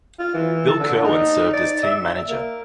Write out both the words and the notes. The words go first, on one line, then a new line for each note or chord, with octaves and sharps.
Bill Kerwin served as team manager.
F4
E3
A4
D3
D#4
D5
E5
A#3